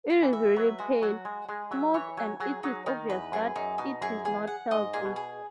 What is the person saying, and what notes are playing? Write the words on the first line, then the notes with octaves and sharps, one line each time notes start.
It is really pale, smooth, and it is obvious that it is not healthy.
F#4
E3
E5
F#3 B4
G#3 F#4
F#3 F#4
G#3 G#5
G#3 G#4
F#3 E5
E3 C#5
F#3 G#5
F#3 G#4
F#3 D#4
D#3 D#4
E2 B4
F#2 G#4
F#2 D#4
B2 D#4
F#2 G#4
E2 G#4
F#5
G#2 D#5
A#2 G#4
B2
G#4